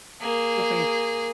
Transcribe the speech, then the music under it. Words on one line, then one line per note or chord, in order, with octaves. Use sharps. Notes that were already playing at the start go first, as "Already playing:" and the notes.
Good for you.
A#3 G#4